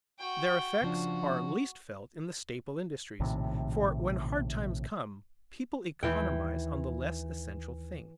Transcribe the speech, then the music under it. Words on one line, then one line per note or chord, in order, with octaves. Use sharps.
Their effects are least felt in the staple industries, for when hard times come, people economize on the less essential things.
F#4 G5
C#3 F3 D4 F#4
A#1 A2 C3 D#3
D#2 E3 G5